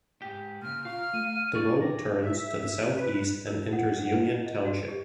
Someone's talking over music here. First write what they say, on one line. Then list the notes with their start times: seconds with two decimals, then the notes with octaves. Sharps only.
The road turns to the southeast and enters Union Township.
0.22 G#2 G4
0.62 A#2 C#3 F6
0.85 F4 F5 A#5 C#6
1.13 A3 D#7
1.55 A#2 C#5 D5 C#6 G#6
1.81 B4 G5 D6 A#6
2.22 E5
2.96 B4
3.47 A#4
3.73 F#5
4.01 F#5
4.12 B4
4.46 D#5
4.65 F#4
4.88 G4